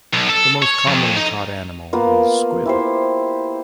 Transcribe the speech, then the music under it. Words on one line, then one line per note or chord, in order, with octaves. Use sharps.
The most commonly caught animal is squid.
B1
A4
C#5
F2
D#4
A#3 B3 F4
E4 G4 C5